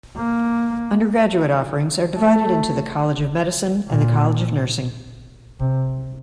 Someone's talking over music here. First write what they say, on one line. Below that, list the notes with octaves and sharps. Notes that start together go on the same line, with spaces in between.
Undergraduate offerings are divided into the College of Medicine and the College of Nursing.
A#3
A3
A#2
C3